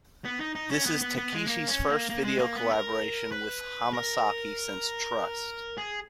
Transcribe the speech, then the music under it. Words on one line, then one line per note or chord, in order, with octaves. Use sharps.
This is Takeishi's first video collaboration with Hamasaki since "Trust".
B3
D#4
D#4
C#4
B3
B3
B3
G#3
A#3
C#4
A#3
A#3
G#3
A#3
B3
A#4
B4
A#4
G#4